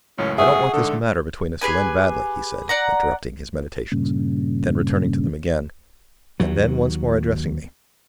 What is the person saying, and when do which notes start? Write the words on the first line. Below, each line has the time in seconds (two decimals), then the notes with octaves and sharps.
"I don't want this matter between us to end badly," he said, interrupting his meditations--then returning to them again--and then once more addressing me.
0.18 C#2 F#2 A2 C#4
0.38 G#4 E5 F#5 C#6 D#6
0.74 G#2 D3 A4
1.61 G4 G#4 B4 G#5
2.69 D5 F#5 A#5
3.92 G2 A#2 C#3
6.40 D#2 F#3